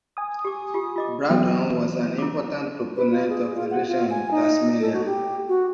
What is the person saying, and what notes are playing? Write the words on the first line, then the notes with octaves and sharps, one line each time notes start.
Braddon was an important proponent of federation in Tasmania.
G#5 D#6
G4 D6
F4 G4
F4 D#5 D6
E3 F#3 B3 A4 C5 G5
E4 D6
B4
F4
G#4
F4
F#5
F4
G#5
D#4
A4
F#4
G4
F#4